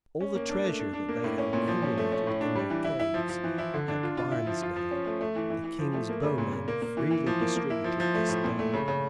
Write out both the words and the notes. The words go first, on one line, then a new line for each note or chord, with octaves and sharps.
All the treasure that they had accumulated in their caves at Barnesdale the King's bowmen freely distributed this day.
C#4
A#3
D4
A3
D4
D4
A#3
A2
C#4
A#2
F3
C#4
A3
C#4
A2
D4
G3
E3
E4
E4
F3
F3
E3
E4
D3
D4
F4
F4
E4
F3
F4
F3
C#4
A3
A3
E3
E3
E3
F3
A3
A#3
C#3
A#2
A#2
A#3
A#3
E3
E3
F3
A#3
A#3
E4
F3
F3
A3
A2
A#2
A3
C#3
C#3